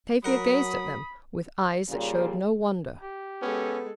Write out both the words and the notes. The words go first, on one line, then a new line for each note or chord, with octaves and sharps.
Tavia gazed at them with eyes that showed no wonder.
F#3 A#4 F#5 B5 D#6
A#2 C#3 G3
G4
G#3 B3 C#4 A4